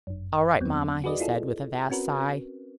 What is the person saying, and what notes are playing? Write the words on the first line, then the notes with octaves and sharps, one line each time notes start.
"All right, mamma," he said, with a vast sigh.
G1 F#2
E2 F#3 B3 C4
F#4 G#4 B4 D5 D#5
E4 F4 G#4 A4
C4 C#4 F#4 A#4 B4